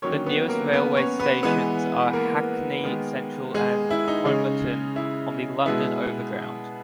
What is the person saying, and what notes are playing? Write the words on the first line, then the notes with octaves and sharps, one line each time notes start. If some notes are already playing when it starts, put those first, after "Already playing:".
The nearest railway stations are "Hackney Central" and "Homerton" on the London Overground.
D#3 F#3 A#3 C#4 C#5
B3 B4
A#3 A#4
B3 B4
C#4 C#5
B3 B4
E3 G#3 B3 B4
A#3 A#4
D#3 G#3 B3
G#3 G#4
E4
D#4
C#3 G#3 C#4
E4
B2 G#3 B3 E4